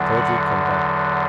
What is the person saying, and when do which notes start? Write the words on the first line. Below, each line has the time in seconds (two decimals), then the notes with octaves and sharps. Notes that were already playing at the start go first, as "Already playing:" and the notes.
"Told you he'd come back."
Already playing: E2 D3 F#3
0.17 F#5